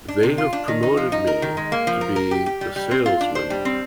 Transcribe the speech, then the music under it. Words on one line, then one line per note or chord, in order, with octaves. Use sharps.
they have promoted me to be the salesman
D4
C3
F4
D4
D#3
D#4
F3
D#4
A#4
D#3
G#3
A#3
F3
A#4
A#4
G4
G4
G3
G3
C4
F4
D4
C5
G3
C4